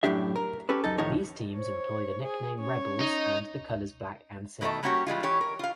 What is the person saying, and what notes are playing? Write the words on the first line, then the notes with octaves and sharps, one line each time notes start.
These teams employ the nickname Rebels and the colors black and silver.
F#2 A2 C3 D4 G4 E5
A#4
C#4 G4 A4 B4
F#2 D#4 A4
A2 D#3 F3 A3 D#4 C#5
C5 C#5
G#4
C#4 C#5
D#4
B2 D#3 A3 B3 E5 A5
G3 A#3 C#4 F#4 G4 C#5
E3 G3 G#3 F4
E3 G4 C#5
A#4
F4 F5